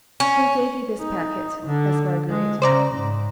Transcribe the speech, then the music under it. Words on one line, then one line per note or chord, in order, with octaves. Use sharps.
"Who gave you this packet?" asked Marguerite.
C#4
D#4
D3
G#3
C#3 C5 D5 A#5
G#2